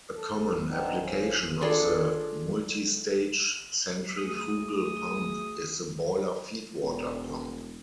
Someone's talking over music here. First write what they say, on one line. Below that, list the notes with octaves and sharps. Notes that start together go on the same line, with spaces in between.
A common application of the multistage centrifugal pump is the boiler feedwater pump.
A4
B3 C4 D4 D#4
F3 C#4
D4 F4 G#4 A4
D2 G#4 D#6
E1